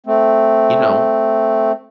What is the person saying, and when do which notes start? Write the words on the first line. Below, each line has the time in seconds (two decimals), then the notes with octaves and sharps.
you know,
0.06 A3 C4